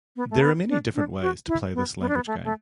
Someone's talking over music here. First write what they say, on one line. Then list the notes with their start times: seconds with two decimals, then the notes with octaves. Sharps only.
There are many different ways to play this language game.
0.16 B3
0.31 A3
0.42 B3
0.69 D4
0.95 D4
1.22 F#4
1.48 E4
1.74 B3
2.01 B3
2.09 D4
2.15 B3
2.27 A3
2.44 A3